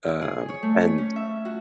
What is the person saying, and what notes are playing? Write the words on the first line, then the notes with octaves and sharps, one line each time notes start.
Um, and
G#4
C#5
A3
C#5
C#4
E5
F#4